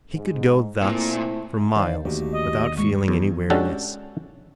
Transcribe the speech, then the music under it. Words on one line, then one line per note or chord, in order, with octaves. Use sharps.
He could go thus for miles without feeling any weariness.
G#2
A#2 A3 C4 E4
D#3 C5 D5 F5
D#2 D3 A3 F#4 G4
D#5
G#3 C#6
E2
G#3 C#4 D4 F#4 G4 A4